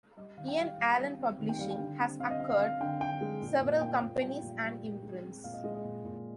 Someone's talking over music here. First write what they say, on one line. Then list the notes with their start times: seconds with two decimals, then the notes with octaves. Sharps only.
Ian Allan Publishing has acquired several companies and imprints.
0.17 G3 D#5
0.37 D#3 F5
0.48 G5
0.58 G3 F5
0.78 G3
0.98 G3
1.19 C4
1.39 D#3
1.49 G5
1.59 G3 F5
1.71 G5
1.79 D3
2.00 C4
2.19 C4 F5
2.30 D#5
2.40 C4 F5
2.50 F5
2.60 C4 F5
2.80 D3 G5
3.00 D3 G5
3.21 G#3
3.42 A#2
3.61 A#2
3.81 A#3 G5
4.02 A#2
4.22 G3 G5
4.43 A#2
4.63 G3
4.83 A#2
5.03 G#3
5.23 C4
5.44 A#2 F5
5.53 D#5
5.64 G#3 D#5
5.75 D#5
5.84 A#2
6.05 A#2